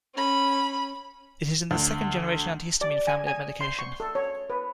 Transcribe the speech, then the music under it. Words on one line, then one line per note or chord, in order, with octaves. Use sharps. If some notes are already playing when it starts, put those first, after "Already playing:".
It is in the second-generation antihistamine family of medication.
C#4 B5
D2
D5
G#5
G#5
C6
C#6
A4
C#5
B4